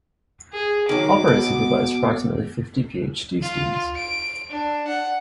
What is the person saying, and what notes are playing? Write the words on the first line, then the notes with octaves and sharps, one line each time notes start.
Hopper has supervised approximately fifty PhD students.
G#4
D#3 F#3 D6
B2
F4
D7
D4
F#5